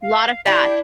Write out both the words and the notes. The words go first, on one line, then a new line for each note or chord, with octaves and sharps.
Lot of that.
F5
D4 E4 G4 D5